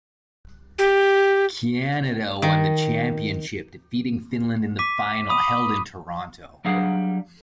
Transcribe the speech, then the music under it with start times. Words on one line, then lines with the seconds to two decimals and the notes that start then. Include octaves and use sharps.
Canada won the championship, defeating Finland in the final, held in Toronto.
0.79 G4
2.42 D#3
4.79 D6 B6 D#7
5.29 B5 D#6 D#7
6.65 F#3 G3 D4 G#4 F5 F#5